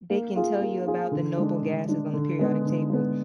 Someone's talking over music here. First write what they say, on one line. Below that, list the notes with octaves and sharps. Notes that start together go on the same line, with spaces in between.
they can tell you about the noble gasses on the periodic table.
A#3
F4 G#4
A#3
F4 G#4
D3
G#3 D4
D3
G#3 D4
D3
G#3 B3
D3
G#3 B3